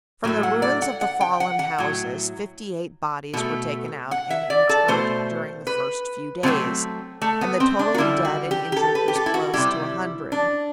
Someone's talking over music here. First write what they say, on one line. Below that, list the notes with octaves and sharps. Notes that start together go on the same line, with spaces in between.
From the ruins of the fallen houses fifty-eight bodies were taken out and interred during the first few days, and the total of dead and injured was close to a hundred.
A2 F#3 A3
F#5
D5
F#5
F#5
G5
F#5
F#5
A2 F#3
B2 A3
F#5
E5
D5
A4
B2 A3 C5
B4
B2 F#3 A3 C4
A3
B3
C4
D4
F#4
D3 G3 E4
F#4
G4
G4
A4
B4
G4
A4
E4
F#4
C3 G3 E4
D4